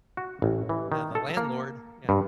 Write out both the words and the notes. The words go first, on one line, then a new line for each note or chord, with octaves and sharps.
Yeah, the landlord Yeah.
F#4
A1
E3
D#3
A4
A#3
G2